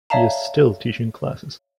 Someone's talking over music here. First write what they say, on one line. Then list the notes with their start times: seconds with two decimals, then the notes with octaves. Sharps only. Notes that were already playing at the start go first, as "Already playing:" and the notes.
He is still teaching classes.
0.10 C#5 D5 E5 F5 A5 A#5